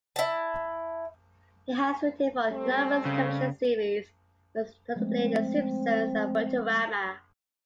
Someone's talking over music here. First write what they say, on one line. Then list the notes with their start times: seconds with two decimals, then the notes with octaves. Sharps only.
He has written for numerous television series, most notably "The Simpsons" and "Futurama".
0.16 E4 A5
2.52 G3 A3 C4
3.05 C#3
4.96 F3 G#3 A3 C4